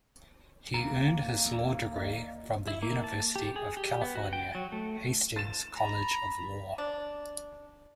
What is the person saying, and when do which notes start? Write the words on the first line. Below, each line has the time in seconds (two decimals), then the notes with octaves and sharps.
He earned his law degree from the University of California, Hastings College of Law.
0.74 D2 C3 A#3 A#5
1.45 D#2
1.94 D5 D#5 F5
2.68 E4
2.82 A#3
3.04 A5
3.36 G4
3.56 G#4
3.77 G4
4.01 B3
4.15 F#4
4.33 G5
4.55 F#3
4.72 A3
5.36 A6 E7
5.75 A#5 B5
6.78 D4